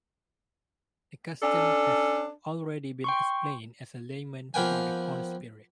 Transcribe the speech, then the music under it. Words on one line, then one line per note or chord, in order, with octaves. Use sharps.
The custom has already been explained as a lament for the corn-spirit.
C#4 D4 A4
G5 C6 C#6
F3 A#3 B3 G5 G#5